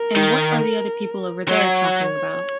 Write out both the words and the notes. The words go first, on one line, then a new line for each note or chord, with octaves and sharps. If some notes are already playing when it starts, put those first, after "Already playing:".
And what are the people over there talking about?
Already playing: A#4
D#3
F#3 C#5